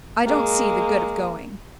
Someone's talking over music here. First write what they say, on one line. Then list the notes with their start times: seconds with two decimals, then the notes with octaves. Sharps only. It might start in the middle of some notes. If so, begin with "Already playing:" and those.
I don't see the good of going.
0.25 G#3 A#3